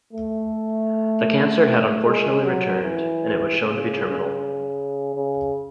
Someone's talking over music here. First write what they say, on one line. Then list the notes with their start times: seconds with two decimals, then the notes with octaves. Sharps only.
The cancer had unfortunately returned and it was shown to be terminal.
0.13 A3
2.05 G#3
2.44 F#3
2.83 E3
3.60 C#3
5.15 C#3